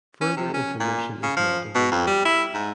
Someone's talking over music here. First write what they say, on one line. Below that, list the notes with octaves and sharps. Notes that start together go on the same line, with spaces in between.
Further information is not available.
C#4
C3
C#4
A#2
C#3
F3
B2
F2
G3
E4
G#2